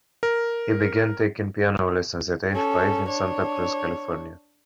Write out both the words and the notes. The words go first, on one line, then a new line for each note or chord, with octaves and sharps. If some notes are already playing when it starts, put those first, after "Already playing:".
He began taking piano lessons at age five in Santa Cruz, California.
A#4
C#4 A4
D4 C#5